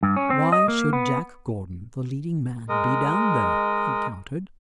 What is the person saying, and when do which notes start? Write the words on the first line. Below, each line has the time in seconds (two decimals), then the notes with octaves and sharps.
"Why should Jack Gordon, the leading man, be down there?" he countered.
0.03 G2
0.16 C#4
0.30 C4
0.52 D#5
0.68 A#3
0.93 B3
2.69 G#3 A#4 D#5